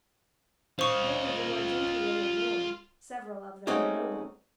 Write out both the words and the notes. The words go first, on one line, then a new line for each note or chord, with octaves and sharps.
Many of them are gentlewomen born; several of them are noble.
F4 C5 D#5 C#6
G#3 A3 C4 C#4 D#4 F#4